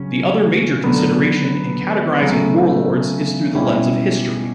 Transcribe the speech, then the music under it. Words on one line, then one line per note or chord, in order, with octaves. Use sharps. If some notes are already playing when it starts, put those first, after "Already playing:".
The other major consideration in categorizing warlords is through the lens of history.
Already playing: C#3 F#3 C#4
D3 F#3 B3
C#3 F#3 A3
B2 G3 C#4 E4 G4